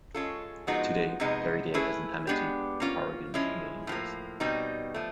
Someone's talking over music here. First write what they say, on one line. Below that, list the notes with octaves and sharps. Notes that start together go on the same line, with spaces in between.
Today, Perrydale has an Amity, Oregon mailing address.
G#3 C#4 F4 A4
F3 G#3 B3 D#4 F#4
C3 F3 G#3 B3 D#4
A3 C#4 E4 G#4 B4
G#3 B3 D4 G4
A#3 C#4 F4
F3 G#3 C#4 E4
A2 F3 A#3
B2 G3 C4 D#4
F3 A3